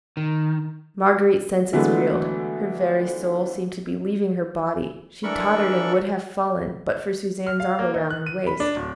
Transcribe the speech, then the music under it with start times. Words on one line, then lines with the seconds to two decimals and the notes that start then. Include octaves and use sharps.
Marguerite's senses reeled, her very soul seemed to be leaving her body; she tottered, and would have fallen but for Suzanne's arm round her waist.
0.17 D#3
1.73 D3 E3 F#3 G#3 A3 B3
5.24 E3 D4 A4 A#4 B5 C#6
7.47 F6
7.60 F5
7.79 A#3
7.94 D#4
8.10 F#6
8.26 D#7
8.47 B5
8.60 D4
8.76 D1